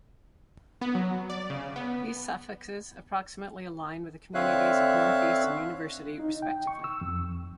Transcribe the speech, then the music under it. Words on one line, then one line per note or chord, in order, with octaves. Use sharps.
These suffixes approximately align with the communities of Northeast and University respectively.
B3
F#3
D5
C#3
B3
D3 C4 C#5 E5 F5 F#6
D#4
G5
C#6
E6
F2